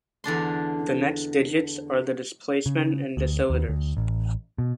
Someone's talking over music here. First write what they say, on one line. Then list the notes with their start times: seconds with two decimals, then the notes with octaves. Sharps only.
The next digits are the displacement in deciliters.
0.24 E2 D3 D4 C6
2.66 C#3
3.17 D2
3.50 D#2
3.68 D2
3.97 A1
4.58 B2